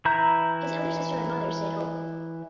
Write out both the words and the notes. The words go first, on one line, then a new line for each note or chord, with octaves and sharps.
His elder sister and mother stay at home.
E3 E4 E5 A#5 G6